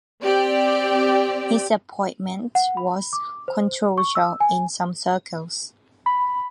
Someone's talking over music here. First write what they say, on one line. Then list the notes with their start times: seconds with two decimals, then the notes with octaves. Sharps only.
His appointment was controversial in some circles.
0.23 C4 G4 D5 G5
2.55 F#5
2.77 B5
3.13 D6
3.48 C5
3.98 C#6
4.15 E6
4.40 G#5
6.06 B5